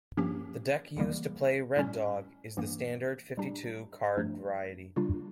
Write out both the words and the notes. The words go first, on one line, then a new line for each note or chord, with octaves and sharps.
The deck used to play red dog is the standard, fifty-two-card variety.
G2 F3 A#3 C#4 G4
E2 C#3 E3 G3 A#3
A2 G3 C#4
G2 E3 A#3
A2 G3 D4 G4
G2 F3 A3 D4
C#3 G3 A#3 D4 F4